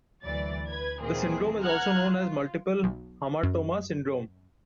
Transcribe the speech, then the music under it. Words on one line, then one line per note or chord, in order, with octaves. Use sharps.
The syndrome is also known as Multiple hamartoma syndrome.
D2 E3 F#3 D5 A6
B4 G#6
A#2 D#3 E3 A#3 C4 G#4
F#5 A#5 F6 F#6 G#6
F4
B1
F#2